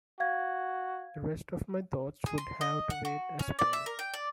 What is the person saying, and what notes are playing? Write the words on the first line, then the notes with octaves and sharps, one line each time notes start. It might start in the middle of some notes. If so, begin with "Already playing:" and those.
The rest of my thoughts would have to wait a spell.
F#4 F5 G#6
G#4
C6
D#5
F#5
F#4
C#4
D5
E5
A#4
G5
D5